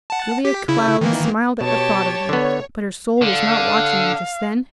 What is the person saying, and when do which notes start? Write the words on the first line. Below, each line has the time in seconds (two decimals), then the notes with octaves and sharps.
Julia Cloud smiled at the thought of them, but her soul was not watching them just then.
0.10 F#5 A5
0.45 G4 B6
0.68 C#3 E4
1.01 D#3 E3 A#3
1.61 B2 G4 C#5 A5
2.29 D3 B3
3.22 D3 F5